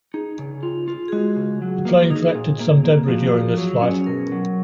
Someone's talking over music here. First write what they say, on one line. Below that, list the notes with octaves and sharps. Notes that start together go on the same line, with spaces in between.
The plane collected some debris during this flight.
D#4 G#4
C#3
F4
F4
G#4
G#3 F#4
C#3
F#3
A#3
D#4 G#4
A#2
A#3
A#3
G#4
F3 F#4
F3
F#3
C#4
B2 A#4
F#3